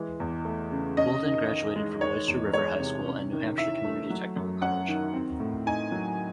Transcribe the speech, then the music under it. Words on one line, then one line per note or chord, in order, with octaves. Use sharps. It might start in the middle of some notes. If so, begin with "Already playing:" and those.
Bouldin graduated from Oyster River High School and New Hampshire Community Technical College.
Already playing: E3 G#3
E2
A3
C#3
C#4 D#5
D#3
D#3
G#3
D#3 C#5
E2
G#3 C#5
C3
C#4
D#3
E4 E5
A3
F#3
F#2
C#4 F#5
D#3
C4
A2
D#4 G#5
F#3